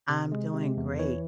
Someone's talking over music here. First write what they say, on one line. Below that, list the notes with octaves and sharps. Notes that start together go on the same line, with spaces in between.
I'm doing great.
C3
G#3
C3
E2
E3 C#5